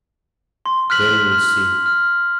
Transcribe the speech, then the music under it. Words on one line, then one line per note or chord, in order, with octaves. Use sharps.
Then we'll see.
C6
F6 F#6 B6 F#7
F6
F6